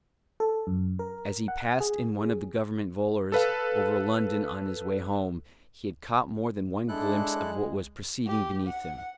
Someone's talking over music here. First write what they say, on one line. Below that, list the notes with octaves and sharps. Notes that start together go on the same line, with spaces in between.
As he passed in one of the Government volors over London on his way home, he had caught more than one glimpse of what was proceeding beneath him.
A4
F#2
A#4
F#5
G#4
A4 B4 F5
G#3 D4 E4 A4 F#6
G4
F#5